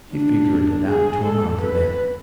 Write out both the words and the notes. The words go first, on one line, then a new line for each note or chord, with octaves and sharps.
She figured it out to amount to that.
D4
G#4
A4
B4